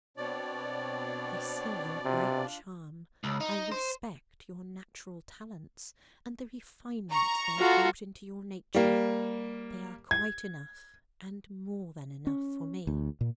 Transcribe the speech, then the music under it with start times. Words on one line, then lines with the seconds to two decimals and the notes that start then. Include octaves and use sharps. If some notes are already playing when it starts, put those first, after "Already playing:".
I see your great charm; I respect your natural talents, and the refinement they have brought into your nature--they are quite enough, and more than enough for me!
0.17 B2 C4 D4 C#5 D5
2.05 C3 D4 F4
3.24 C#2
3.41 D#4
3.72 C5
7.09 A#5 C#6
7.58 F4 F#4 A4
8.74 G3 A#3
10.11 G#6
12.27 C#4
12.87 D2
13.21 A#2